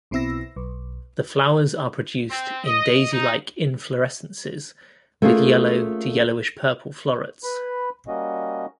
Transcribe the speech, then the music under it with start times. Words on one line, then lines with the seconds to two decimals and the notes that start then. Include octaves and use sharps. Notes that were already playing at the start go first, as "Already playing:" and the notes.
The flowers are produced in daisy-like inflorescences, with yellow to yellowish-purple florets.
0.11 B1 B2 C4 E4 E6 A#6
0.56 B1
2.28 C4
2.63 D#5
3.11 D#4
5.22 A3 A#3 C#4 F4 G#4
7.44 B4 B5
8.08 G3 A#3 C#4 F#4 D#5